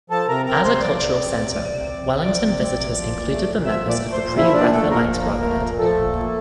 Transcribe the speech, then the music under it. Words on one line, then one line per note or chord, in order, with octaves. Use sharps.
As a cultural centre, Wallington visitors included the members of the Pre-Raphaelite Brotherhood.
F3 A4 A5
C3 A#4 A#5
C4 A#4 A#5
C3 C5 C6
C6
F3 D5 D6
C3
C4
C3
F3
C3
C4
C3
F3 D5 D6
C3
C4
C3
F3
A#2
A3
A#2
F3 E5 E6
A#2
D5 D6
A3
C5 C6
A#2
F3 E4 E5
A#2 D4 D5
A3 A4
A#2 A#3 A#4
F3
A#2
A3
A#2
F3 A3 A4
A#2
A#3